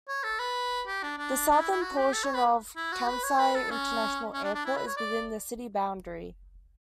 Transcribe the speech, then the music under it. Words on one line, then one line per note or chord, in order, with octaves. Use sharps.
The southern portion of Kansai International Airport is within the city boundary.
C#5
A4
B4
G4
D4
D4
D4
E4
E4
F#4
G4
A4
C#5
B4
E4
F#4
B4
C#5
B4
A4
C#4
C#4
D4
D4
E4
B4
C#5
D5